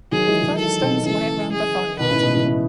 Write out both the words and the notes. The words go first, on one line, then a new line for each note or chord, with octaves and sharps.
Further stones lie around the farmyard.
D#3 F#3 G#4
E3 G#3
D#3 F#3
A4
B2 D#3
C#3 E3 A4
G#4
B2 D#3 B4
A2 C#3
G#2 B2
C#3 E3
C#3 E3